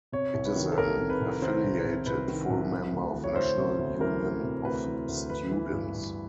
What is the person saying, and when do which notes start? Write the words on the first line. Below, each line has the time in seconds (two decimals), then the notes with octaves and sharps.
It is an affiliated full member of National Union of Students.
0.12 C3 C#5
0.34 C2
0.45 B4
0.56 D#3
0.72 A4
0.77 C2 A#4
1.00 C3
1.10 B4
1.21 C2
1.42 D#3 C5
1.64 C2
1.85 C3
2.06 C2 B4
2.28 D#3
2.50 C2
2.72 C3
2.93 D2
3.14 E3
3.24 C#5
3.36 D2 C5
3.58 C3
3.79 D2
4.01 E3 A#4
4.22 D2
4.43 C3
4.65 D2 B4
4.87 E3
5.08 D2
5.29 E3 B4
5.51 E3
5.73 G2
5.94 G2